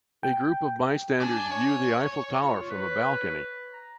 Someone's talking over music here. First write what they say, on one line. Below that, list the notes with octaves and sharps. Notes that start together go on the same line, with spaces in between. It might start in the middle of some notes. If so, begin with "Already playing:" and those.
A group of bystanders view the Eiffel Tower from a balcony.
G5
D5 G#5 A5
C#5
F4
B4
A#5